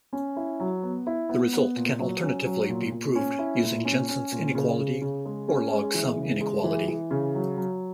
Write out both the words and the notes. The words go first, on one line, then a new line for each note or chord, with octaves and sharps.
The result can alternatively be proved using Jensen's inequality or log sum inequality.
C#4
E4
F#3
B3
E4
B3
B3
A#2
F#3
C#4
F#3
A#2
A#2
C#4
E4
A#2
C#4
C#4
A#2
C#3
C#3
C#3
G#3
C#4
G#3
E3
C#3
G#3
E3
E3
C#3
F#3
F#3